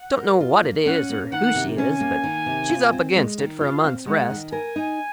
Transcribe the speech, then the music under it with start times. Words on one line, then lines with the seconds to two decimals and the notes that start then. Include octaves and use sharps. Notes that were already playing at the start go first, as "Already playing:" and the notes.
Don't know what it is or who she is, but she's up against it for a month's rest.
Already playing: F#5
0.17 A#4
0.40 F4
0.63 A#3
0.86 C#4 F#5
1.10 A#3
1.32 D#3 F#5
1.55 C3
1.78 C#4 G#5
2.01 A#3
2.24 D#3
2.46 C3
2.69 F4
2.92 C4
3.16 G#3
3.38 D#3
3.61 F4 F5
3.84 C4
4.07 G#3 F#5
4.30 D#3
4.52 A#4 G#5
4.76 D#4